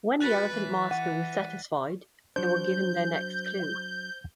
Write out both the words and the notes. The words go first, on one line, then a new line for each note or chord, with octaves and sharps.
When the elephant master was satisfied, they were given their next clue.
F#4 B4 F#6 A6 B6
E3
F#5 D#7
F#3 D4 C5 G6